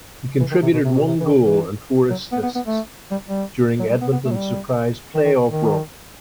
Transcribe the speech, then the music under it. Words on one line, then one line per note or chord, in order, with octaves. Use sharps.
He contributed one goal and four assists during Edmonton's surprise playoff run.
E3
D#3
C3
B2
C3
B2
C3
E3
D#3
E3
F#3
B3
B3
B3
A3
G3
G3
F#3
G3
B3
B3
A3
F#3
G3
D#3
D#3
D#3